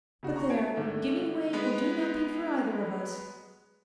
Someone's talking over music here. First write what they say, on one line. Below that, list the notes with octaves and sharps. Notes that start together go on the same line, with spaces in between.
But there; giving way will do nothing for either of us.
C#3 D#4 F#4
A#5 C#6
G#5 A5 G#6 D7
G#2 D3 D#3 A3
G#3 B3 B4